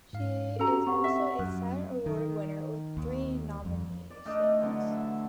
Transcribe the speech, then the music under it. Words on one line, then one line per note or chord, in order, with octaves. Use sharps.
She is also a Saturn Award winner with three nominations.
G#2 F5
C#4 F#4 G4 A4 A#5
C4 G4 F#5 C#6
E5
F#2
D#3
D#2
F2
D5
A3 D4 D#4 D#5
A3
D3 E3 F#3 D4
E5 F#5